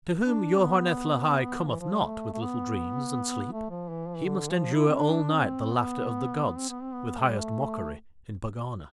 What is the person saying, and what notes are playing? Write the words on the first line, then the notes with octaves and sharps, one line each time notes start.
To whom Yoharneth-Lahai cometh not with little dreams and sleep he must endure all night the laughter of the gods, with highest mockery, in Pegana.
D4
B3
E3
F3
G3
A3
A3
B3
A3
F3
E3
F3
E3
D3
F3
E4
C4
D4
C4
B3
B3
C4
B3
C4
B3
A3
G3
A3